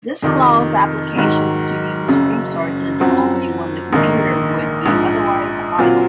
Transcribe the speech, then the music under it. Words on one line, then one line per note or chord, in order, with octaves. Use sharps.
This allows applications to use resources only when the computer would be otherwise idle.
F2 C3 D#3
G#2 D#3 F#3
F#1 F#2 C#3
F#2 F3 C4 F#4
A#1 G#2 D#3 A#3
A#1 G#2 F3
A#2 F#3 C4 F4